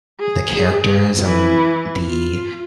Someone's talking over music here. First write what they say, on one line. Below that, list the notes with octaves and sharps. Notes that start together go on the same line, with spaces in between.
the characters and the
G#4
E3 E4
F4